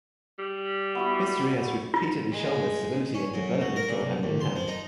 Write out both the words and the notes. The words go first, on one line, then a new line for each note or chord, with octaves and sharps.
History has repeatedly shown that stability and development go hand in hand.
G3
B3 E4 F#4
F4
G#3
C#4
F#2
F#3
A#4
A#2
B1
D#2
C6
F3
D#4